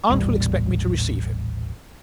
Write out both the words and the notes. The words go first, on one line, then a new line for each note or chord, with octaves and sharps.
Aunt will expect me to receive him.
D#1 A1 A2 G3